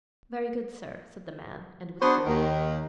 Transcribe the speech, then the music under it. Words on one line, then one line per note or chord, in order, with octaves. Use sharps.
"Very good, sir," said the man and withdrew.
B3 D4 F#4 G#4 C5
D#2 D#3